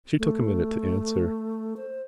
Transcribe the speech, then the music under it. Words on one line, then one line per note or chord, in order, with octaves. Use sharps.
She took a minute to answer.
A3
C5